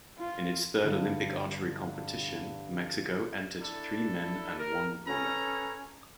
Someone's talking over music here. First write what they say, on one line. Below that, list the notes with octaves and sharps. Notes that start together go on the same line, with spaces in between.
In its third Olympic archery competition, Mexico entered three men and one woman.
F4
G2 D3
D4 E4 A4
A#4
C#4 A4 B4 A#5